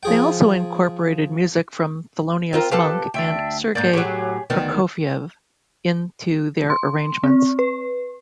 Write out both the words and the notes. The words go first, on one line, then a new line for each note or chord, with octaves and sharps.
They also incorporated music from Thelonious Monk and Sergei Prokofiev into their arrangements.
F3 G#4 G5
C4 F4 A#4
G4 A4 B4 F5 A5 F#6
D2 D4 E5 G5
G#2 A#3 D5 G6
A2 F#3 G4 G#4 C#5
D2 D#3 B3 D5
C6
C4
B4